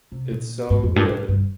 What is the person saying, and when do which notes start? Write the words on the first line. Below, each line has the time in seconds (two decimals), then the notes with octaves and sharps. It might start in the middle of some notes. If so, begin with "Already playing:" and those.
it's so good.
0.12 C3
0.31 A#2
0.70 G#2
0.83 F2
0.96 G2
1.09 G#2
1.28 G2